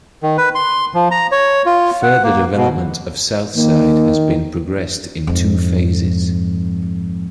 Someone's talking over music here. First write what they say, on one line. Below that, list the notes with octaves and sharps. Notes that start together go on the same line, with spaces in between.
Further development of Southside has been progressed in two phases.
D#3
B4
C6
F3
A#5
C#5
F4
F#5
A#3
B2
D#3 A#3
F2 G#2